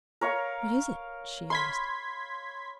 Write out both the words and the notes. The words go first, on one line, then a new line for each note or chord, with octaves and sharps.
'What is it?' she asked.
A#4 C#5 F5
B5 C6 G#6 B6